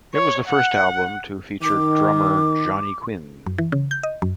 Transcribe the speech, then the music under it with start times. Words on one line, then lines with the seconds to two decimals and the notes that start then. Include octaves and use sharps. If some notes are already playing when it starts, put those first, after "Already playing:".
It was the first album to feature drummer Jonny Quinn.
0.14 C#5
0.47 F#5
1.62 D#3 D6
3.46 F#2
3.58 E3
3.72 C#3
3.91 G6
4.03 D#5
4.22 F#2